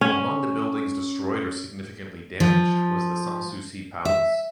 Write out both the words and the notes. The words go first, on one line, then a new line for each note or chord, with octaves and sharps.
Among the buildings destroyed or significantly damaged was the Sans-Souci Palace.
C#4
F3
E5